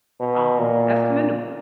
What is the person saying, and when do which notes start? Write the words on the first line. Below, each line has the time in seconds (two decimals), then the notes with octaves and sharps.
um, that's commendable
0.20 B2
0.58 A#2